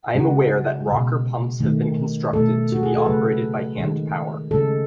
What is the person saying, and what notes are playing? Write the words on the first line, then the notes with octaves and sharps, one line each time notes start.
I am aware that rocker pumps have been constructed to be operated by handpower.
C#3 G#3 F#4
B2 G#3
D#3 A3
B2 A3 A4
F#4
G#4
A4
C#3 F#3 A3 B4
D#3 G#3
C#3 G#3 A4